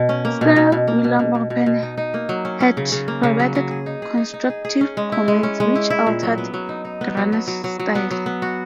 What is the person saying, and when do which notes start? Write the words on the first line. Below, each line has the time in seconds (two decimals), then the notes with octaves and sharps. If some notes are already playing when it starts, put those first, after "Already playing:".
Sir William Orpen had provided constructive comments which altered Gruner's style.
Already playing: B2
0.09 C#4
0.25 A#3
0.41 B2
0.56 B2
0.72 B2
0.87 A#3
1.04 B2
1.19 B2
1.35 B2
1.50 B2
1.66 B2
1.83 D#4
1.97 D#4
2.14 A#3
2.29 F#3
2.45 C#4
2.60 C#4
2.77 C#3
2.92 C#3
3.08 A#3
3.23 C#3
3.40 F#3
3.55 F#3
3.71 G#4
3.86 D#4
4.02 G#4
4.17 D#4
4.34 D#4
4.50 G#4
4.65 G#4
4.81 C#4
4.97 G#3
5.12 E4
5.28 G#3
5.43 C#4
5.60 G#3
5.75 E4
5.90 E4
6.07 A#2
6.23 F#3
6.38 B3
6.54 F#3
6.69 D#4
6.85 D#4
7.01 B3
7.17 F#3
7.32 F#3
7.47 F#3
7.64 F#3
7.79 F#3
7.95 B3
8.11 F#3
8.26 B3
8.42 F#4